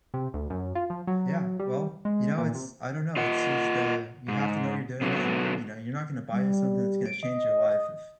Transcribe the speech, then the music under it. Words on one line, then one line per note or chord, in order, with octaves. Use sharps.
Yeah, well, you know, it's I don't know, it's just the you have to know what you're doing and, you know, you're not gonna buy a something that's gonna change your life if
C3
D2
F#2
F4
F3
F#3
G3
G#3
A#2
C3
F4 D#5 F#5
G#2
B2 D3 F#3 B3
G3
D7
D#5